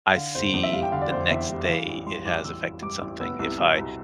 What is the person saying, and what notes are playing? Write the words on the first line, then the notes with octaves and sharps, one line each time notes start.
I see the next day it has affected something, if I
D3 F5
F1 C5
E2 C5
E5
G3 F5
G5
D3 F5
D5
F1 C5
E2 E5
G3
E5
E3 F5
A1
G2 C6
A1 D6
E3 E6
A1
G2 D6
A1
B3 E6
C2 E6
B2 E6
C2